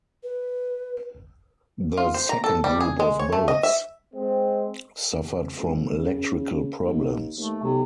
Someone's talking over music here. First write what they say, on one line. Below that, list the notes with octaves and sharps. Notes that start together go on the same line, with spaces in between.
The second group of boats suffered from electrical problems.
B4
F4
C5
A#5
A4
G3
G#4
G#3
C#5
A3
D#5
E5
G#3 C4
G#1
C#3
D#2
D#2 A3
B1 C3